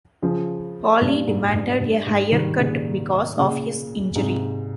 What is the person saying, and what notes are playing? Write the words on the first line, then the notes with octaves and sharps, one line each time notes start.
Paulie demanded a higher cut because of his injury.
C#3 F3
G2 A#2
G#2
G2
G2
G#2
D#3 G3
A#2 C#3
A#2 C#3
G#2 C3